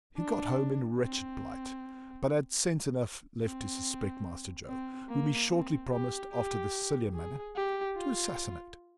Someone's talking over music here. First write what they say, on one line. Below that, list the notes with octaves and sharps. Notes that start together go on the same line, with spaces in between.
He got home in wretched plight, but had sense enough left to suspect Master Joe, whom he shortly promised, after the Sicilian manner, to assassinate.
D4
C4
C4
C4
A#3
C4
G4
G4
G#4
G4
F4